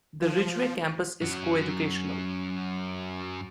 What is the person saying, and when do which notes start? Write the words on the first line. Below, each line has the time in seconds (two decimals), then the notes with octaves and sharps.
The Ridgeway Campus is co-educational.
0.22 F3
1.22 F#2 F#3